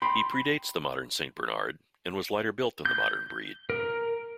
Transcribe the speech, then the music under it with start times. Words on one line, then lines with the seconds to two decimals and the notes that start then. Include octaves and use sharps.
He predates the modern Saint Bernard, and was lighter built than the modern breed.
0.02 G5 B5 C6
2.85 G6
3.70 A#4